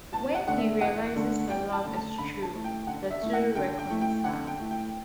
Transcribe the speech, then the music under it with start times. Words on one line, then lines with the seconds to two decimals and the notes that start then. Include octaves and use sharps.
When he realizes her love is true, the two reconcile.
0.12 E2 A5
0.35 F#5
0.47 D3 A3 D4 F#5
0.58 E5
0.81 E2 F#5
1.15 D3 A3 D4
1.49 E2 G5
1.72 A5
1.85 D3 A3 D4
1.95 A5
2.18 D3 B5
2.42 A5
2.53 A3 E4
2.64 G5
2.87 D3 F#5
3.10 E5
3.22 A3 E4
3.33 F#5
3.55 D3 G5
3.79 G5
3.90 A3 E4
4.01 G5
4.24 D3 F#5
4.47 G5
4.59 A3 E4
4.71 G5